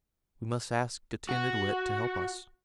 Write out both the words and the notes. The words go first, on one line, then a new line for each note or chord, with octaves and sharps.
"We must ask Getanittowit to help us."
F#4